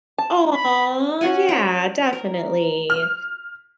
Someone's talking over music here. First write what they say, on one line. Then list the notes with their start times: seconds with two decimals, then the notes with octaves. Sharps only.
Aw, yeah, definitely,
0.18 A5
0.53 B5
1.21 C#4 F#4 F#5 G#5
1.49 G5
2.13 A#4
2.90 F6